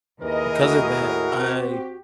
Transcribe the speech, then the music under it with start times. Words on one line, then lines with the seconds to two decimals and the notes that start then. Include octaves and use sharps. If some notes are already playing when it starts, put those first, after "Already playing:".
because of that, I
0.22 D#2 E4 G#4 A#4 B4 D#5
0.60 A3 F#4
0.98 A2
1.39 C4 G4